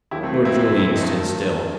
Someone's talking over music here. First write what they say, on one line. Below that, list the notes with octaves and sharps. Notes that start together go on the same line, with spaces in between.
Lord Julian stood still.
D#2 D#3 F#3 E4 G4
A3 C4
C4 E4
D#4
G2 D#3 F#3 A3 C4